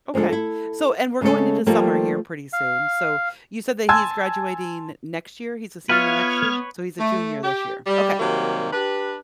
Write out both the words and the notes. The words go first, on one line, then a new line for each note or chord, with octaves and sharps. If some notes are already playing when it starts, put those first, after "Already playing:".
Okay. So and we're going into summer here pretty soon, so you said that he's graduating next year he's a senior next year? So he's a junior this year. Okay,
D2 F3 G#3 D4 A4
E4 A4
C#3 G#3 A3 C#4 A4
F3 G3 A3 A#3 G4 A4
F5
G#5 A5 C6 E6 G#6
B3 F4 B4 C#5 E5 F6 G#6
A3
G4
G3
C3 D#3 F#3 G3 A#3
D4 G4 B4